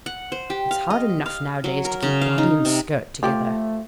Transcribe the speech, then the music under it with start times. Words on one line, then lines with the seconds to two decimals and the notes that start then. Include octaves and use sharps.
It's hard enough nowadays to keep body and skirt together.
0.06 F#5
0.32 C5
0.50 G4
0.71 F5
0.90 D#5
1.26 F5
1.64 F#3
1.85 A#4
2.03 C#3
2.22 F5
2.38 D#4
2.65 C3
3.23 F3 A3 G4